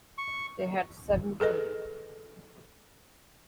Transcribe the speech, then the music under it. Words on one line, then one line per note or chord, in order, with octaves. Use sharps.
They had seven children.
C#6
G#4 A4 B4 D#5